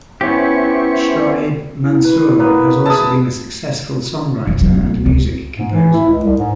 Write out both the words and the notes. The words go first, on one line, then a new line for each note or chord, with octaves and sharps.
Shoaib Mansoor has also been a successful songwriter and music composer.
B3 C#4 E4 G4 C5 C#6
E4
B4
A#3 B3 B4
E4 G#4 B4 A5 D#6
F#2
F#3
D2
C#2
G#2
E3
E4
C#2
C2
G#2